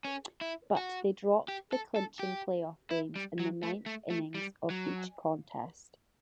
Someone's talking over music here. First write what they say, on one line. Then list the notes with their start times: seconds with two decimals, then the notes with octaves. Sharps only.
But they dropped the clinching playoff games in the ninth innings of each contest.
0.05 C#4
0.41 E4
0.77 F#4
1.48 G4
1.73 A4
1.96 A4
2.19 G4
2.91 E4
3.16 G3
3.39 F#3
3.63 A3
3.86 A3
4.10 A3
4.35 G3
4.70 F#3